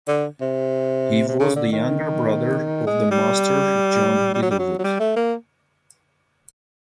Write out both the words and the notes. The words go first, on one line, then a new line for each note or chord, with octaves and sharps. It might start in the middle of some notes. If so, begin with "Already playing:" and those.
He was the younger brother of the master John Littlewood.
D3
C3
C3
C#3
D3
D#3
G#3
G3
G3
F#3
G3
F#3
F#3
G3
A3
A#3